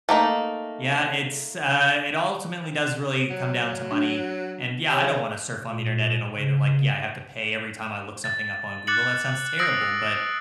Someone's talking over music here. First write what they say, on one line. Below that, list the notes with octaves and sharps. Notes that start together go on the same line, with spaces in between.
Yeah, it's, uh it ultimately does really come down to money, and, yeah, I don't wanna surf on the Internet in a way that, like, yeah, I have to pay every time I look something up on Google, that sounds terrible, but,
A3 A#3 D#4
F#3
D4
G4 C#5 G#5 B5
C#3
A#2
C#3
A6
D6 F#6 A6 C#7 F#7
D#6 E6 A#6 C7 D7 F#7